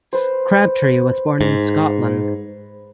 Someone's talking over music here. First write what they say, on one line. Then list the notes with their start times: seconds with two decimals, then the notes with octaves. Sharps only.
Crabtree was born in Scotland.
0.13 B4 C5
1.41 G#2